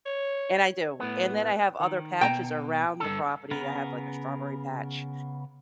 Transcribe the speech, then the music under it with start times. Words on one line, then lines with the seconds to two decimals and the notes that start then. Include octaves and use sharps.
And I do. And then I have other patches around the property. I have, like, a strawberry patch,
0.06 C#5
1.00 A2 B3
1.80 D#3
2.21 B2 G5 A5 A#5
3.00 G2 D3 A4
3.51 C#3 B3 A#4